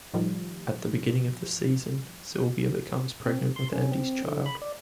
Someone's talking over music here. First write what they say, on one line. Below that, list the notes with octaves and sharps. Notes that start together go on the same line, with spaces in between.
At the beginning of the season, Sylvia becomes pregnant with Andy's child.
A2 D#3 F3 G3
C4
C3
C6
C#4
C4
D3
B5
D5